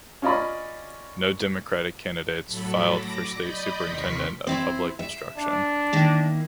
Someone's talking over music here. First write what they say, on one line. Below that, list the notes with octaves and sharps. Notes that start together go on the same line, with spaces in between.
No Democratic candidates filed for State Superintendent of Public Instruction.
C#4 F4 D5 D#5 B5
A2 F#3 A4 B5
D6 A#6
D5 D#5 B5 G6
D#2 C3 A#4 C6 C#6 B6
C4 E4 C5
E5
D4
D#3 A#3 E4